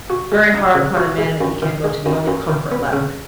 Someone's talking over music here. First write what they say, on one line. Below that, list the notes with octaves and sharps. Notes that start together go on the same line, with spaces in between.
It's very hard upon a man that he can't go to the only comfort left.'
F#4
G#3
D#4
C#3
F#4
G#3
F#2
D#3
G#3
F#2
F#2
D#3
B3
C#3